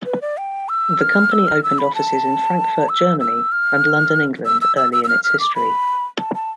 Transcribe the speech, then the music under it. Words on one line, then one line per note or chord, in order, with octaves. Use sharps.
The company opened offices in Frankfurt, Germany, and London, England early in its history.
B4
D5
G5
E6
F6
E6
F6
E6
B5
A5
E6
E6
F6
E6
E6
E6
E6
E6
F6
F6
D6
B5
A5
A5